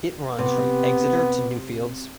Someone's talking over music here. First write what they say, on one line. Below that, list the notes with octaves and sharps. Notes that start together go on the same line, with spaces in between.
It runs from Exeter to Newfields.
C3 B3